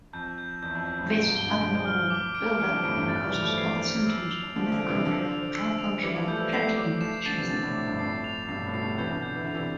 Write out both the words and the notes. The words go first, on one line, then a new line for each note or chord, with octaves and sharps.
This abnormal buildup causes other symptoms of mitochondrial trifunctional protein deficiency.
F2 G6
G6
E2 G6
F2
G6
F2 A2
G2 B2 D7
G2 B2
G7
B2 D3
D3 F3 D7
F6
D6
D7
E3 G3 D7
D3 F3
F2 A2 D7
E2 G2
D3 F3 A6
E3 G3
F7
F3 A3
E3 G3 C7
F7
E6
F7
D3 F3 D7
D3 F3
D7
C3 E3
D3 F3 E6
F7
E6
F7
E3 G3 D6
E3 G3
F3 A3 G6
E3 G3
F3 A3 C7
D6
F3 A3 E7
D3 F3 A6
C3 E3
B2 D3 A6
A2 C3
D6
E2 G2
F2 A2 C7
F7
G2 B2 C7
A2
B2 C7
A2 C3
C3 E3 G6
B2 D3
G6
E3
D3 F7
C3 E3